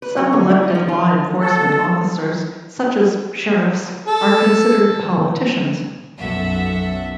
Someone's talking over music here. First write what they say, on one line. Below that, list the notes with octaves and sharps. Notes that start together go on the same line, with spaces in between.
Some elected law enforcement officers, such as sheriffs, are considered politicians.
B4
F#3
D3
E4
D#4
F3
F4
A4
A4
B1 F#2 A4 E5 F#5